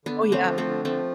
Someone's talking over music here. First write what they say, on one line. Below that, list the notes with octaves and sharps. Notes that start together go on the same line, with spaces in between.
Oh, yeah.
D3 B3 D4
D3
A3 C4
F3
A3 C4
D3
F3 A3 C4